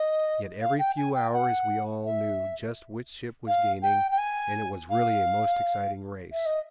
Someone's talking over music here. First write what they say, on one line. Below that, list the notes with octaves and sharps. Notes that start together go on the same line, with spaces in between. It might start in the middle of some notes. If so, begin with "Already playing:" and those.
Yet every few hours we all knew just which ship was gaining and it was really a most exciting race.
Already playing: D#5
F5
G5
G#5
G5
F#5
E5
F5
G5
G5
G#5
F5
E5
D#5